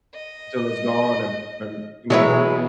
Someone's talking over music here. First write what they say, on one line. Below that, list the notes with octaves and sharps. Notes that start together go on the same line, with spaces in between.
until it's gone and and, you know,
D#5
B2 E3 F#3 G#3 B4 C#5 E5